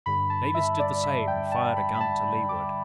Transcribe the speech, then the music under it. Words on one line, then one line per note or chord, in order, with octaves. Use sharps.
Davis did the same, and fired a gun to leeward.
G2 D3 G3 B5
A5
E5
D5
E5
G5
A5
B5
B5
A5
D6